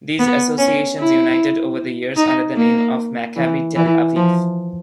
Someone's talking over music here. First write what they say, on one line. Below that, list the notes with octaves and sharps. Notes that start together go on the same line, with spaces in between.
These associations united over the years under the name of Maccabi Tel Aviv.
B3
C#4
E4
D#4
A#3
E3
E3
F3